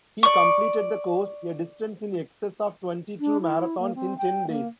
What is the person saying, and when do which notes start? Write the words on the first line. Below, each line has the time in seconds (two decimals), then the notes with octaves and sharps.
He completed the course, a distance in excess of twenty-two marathons, in ten days.
0.23 D5 C#6
3.19 D4
3.40 E4
3.78 A#3
3.95 C4
4.18 G5
4.47 A#3